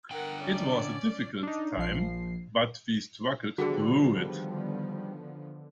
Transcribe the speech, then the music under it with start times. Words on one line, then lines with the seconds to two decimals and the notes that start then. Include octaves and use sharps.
It was a difficult time, but we struggled through it.
0.11 D3 A#4 F#5 G5
0.42 C#4 D5
1.43 D4 D#4
1.77 A#1 F3 C7
3.58 D3 D#3 F3 G3 B3 F#4 G#4